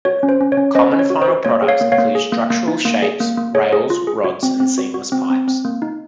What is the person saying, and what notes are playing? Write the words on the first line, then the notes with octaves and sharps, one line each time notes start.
Common final products include structural shapes, rails, rods, and seamless pipes.
F#4 C#5
C#4
C5
C#4
C#5
C#4
C#4 C5 D#5
C#4
C#5
F#4
C5
F#4
A#3 C#5
G#4
C#5 F5
A#3
C#5 F5
A#3
G#4
A#3
A#3
D#4
A#3
G#4
A#3
A#3
G#4 C#5
G#4
F4
G#4
F#4
C4
C4
F#4
F#4
C4
C4
C4
A#3
D#4